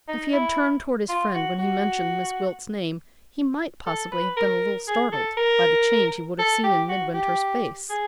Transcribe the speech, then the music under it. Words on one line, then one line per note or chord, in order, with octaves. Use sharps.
If he had turned toward his friend when he mentioned Miss Gwilt's name he might possibly have been a little startled by the change he would have seen in Midwinter's face.
D#4
E4
F4
F#4
F#4
A4
B4
A#4
G#4
A4
A#4
A4
G4
F#4
G4
G#4